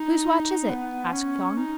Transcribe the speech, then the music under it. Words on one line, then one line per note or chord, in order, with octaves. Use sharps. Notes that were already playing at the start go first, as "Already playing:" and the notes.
"Whose watch is it?" asked Thong.
Already playing: D#4
B3
C#4
D#4